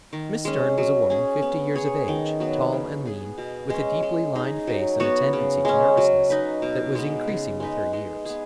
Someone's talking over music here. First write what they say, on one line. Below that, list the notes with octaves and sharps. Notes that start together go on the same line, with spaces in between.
Miss Stearne was a woman fifty years of age, tall and lean, with a deeply lined face and a tendency to nervousness that was increasing with her years.
D#3
G#3 C#4
F#3
C#4 G#4
B3
G#4 C#5
D#3
F#3 B3
C#3
B3 G#4
B2
G#3 C#4
G#3
D#4 G#4
F#3
B3 F#4 C#5
C#3
G#3 C#4
F#3
D#4 B4
B2
G#3 B3
C#3
G#3 D#4 B4
G#3
B3 G#4